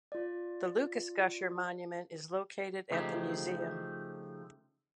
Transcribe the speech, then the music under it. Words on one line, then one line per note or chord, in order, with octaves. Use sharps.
The Lucas Gusher Monument is located at the museum.
F4 D5
C#3 F3 A3 D#4 G4